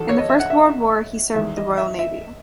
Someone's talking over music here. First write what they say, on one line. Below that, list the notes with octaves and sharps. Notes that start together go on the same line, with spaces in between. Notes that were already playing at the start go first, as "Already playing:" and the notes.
In the First World War he served with the Royal Navy.
Already playing: E2 D#3 F#3 A4
C#5
D#5
E5
F#5
E5
E2 D#3 G#3 E5
D#5
E5
E5